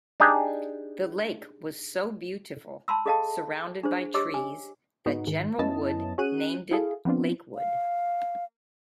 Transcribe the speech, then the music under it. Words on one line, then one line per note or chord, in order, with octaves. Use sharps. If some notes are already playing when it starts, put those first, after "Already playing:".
The lake was so beautiful surrounded by trees that General Wood named it Lakewood.
D4 D#4 G4 G#4
A5 B5 C6 E6
G#4 A4 D#5 F5 G5 A5
D4 G#4 C5
G4 C#5 D#5 D6 E6
G#5
G#2 B3 D#4 F#4
G#2 D#3
F#2 B3 C#4 E4 D#5 A5
C#4 F#4 G#4 F#6 D#7
E4 F#4 G#4 A4 F5
F3 B3 C4 D4 F4
F5